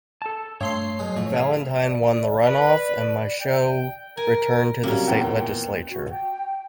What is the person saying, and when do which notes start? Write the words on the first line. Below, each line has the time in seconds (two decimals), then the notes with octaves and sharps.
Valentine won the runoff, and Michaux returned to the state legislature.
0.22 A4 A5
0.61 G2 A3 C#5 C6 C7
0.99 F#2 B2 G#3
1.16 A2 F3 A3 C#5
1.34 G#4 E5 F5
1.83 D5
2.44 B4
3.41 G5
4.17 A#4 G#5
4.83 C3 F#3 G3 A#3 C#4
5.07 E2 A#2 G5
5.40 G5
5.90 F#4
6.10 G5